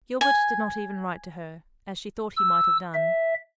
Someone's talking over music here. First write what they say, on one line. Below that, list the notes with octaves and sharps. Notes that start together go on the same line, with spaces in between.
Gilbert did not even write to her, as she thought he might have done.
G#5
E6
E5